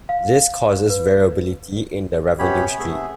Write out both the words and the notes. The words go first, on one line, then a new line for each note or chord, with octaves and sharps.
This causes variability in the revenue stream.
F5
B4
C3 B3 C#4 G4 C#5 B5
C3 A3 B3 G#4 E5